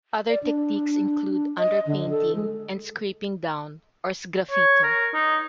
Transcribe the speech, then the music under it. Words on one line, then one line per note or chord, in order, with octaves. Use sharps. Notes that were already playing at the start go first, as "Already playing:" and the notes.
Other techniques include "underpainting" and "scraping down" or sgraffito.
D5
D4
D#5
D3
A4
G#3
C#5
A#4
D#4